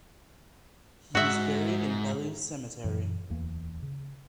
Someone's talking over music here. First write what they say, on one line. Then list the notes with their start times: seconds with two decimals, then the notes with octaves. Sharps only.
He is buried in Bellu cemetery.
1.15 G#2 F#4 E5
2.84 F#2 A#2 E3 F#3
3.30 D1 E2 E3 A#3
3.82 C#3